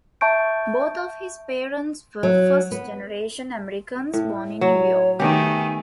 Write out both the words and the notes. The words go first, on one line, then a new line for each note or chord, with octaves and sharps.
Both of his parents were first-generation Americans born in New York.
E5 A5 C#6 G6 D7
F#3
B3
A2
F#3 C#5
D#3 A3 B3 G4 G#5